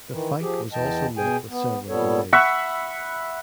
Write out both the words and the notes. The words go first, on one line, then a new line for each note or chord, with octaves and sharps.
The fight was also met with several delays.
D#3 E3
F3 G4 G#4
E2 E3 D#5 G5 A5
B2 G#4 G5 G#5
B3
A#2 G3 B3 A4 C#5
E5 F#5 B5 C#6